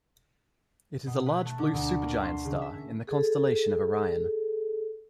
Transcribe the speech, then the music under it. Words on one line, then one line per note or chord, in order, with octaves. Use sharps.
It is a large blue supergiant star in the constellation of Orion.
B2
B4
A3
D3
D2
A#3
C6
C#3
E5
G#4 A4